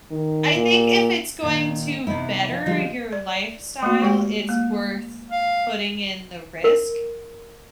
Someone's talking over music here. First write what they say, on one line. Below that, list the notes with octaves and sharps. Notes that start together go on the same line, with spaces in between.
I think if it's going to better your lifestyle, it's worth putting in the risk,
D#3
A#2
A#2 D#3
C3 E3 B3 D#4 E4
F3
D3 F3 G3 G#3 F4
D5
A3 A#3 F#4
G#3 G4 F#5
A#3
F5
A#4